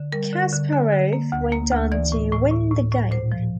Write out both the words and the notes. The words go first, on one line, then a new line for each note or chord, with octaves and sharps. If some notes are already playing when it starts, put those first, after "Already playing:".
Kasparov went on to win the game.
Already playing: D3
G3 A#4
D3
D3
D3
D3
A#3
D2
A#3
D2
E3 D5
A2
A2
A2
A2
A2
A#2 C5
F3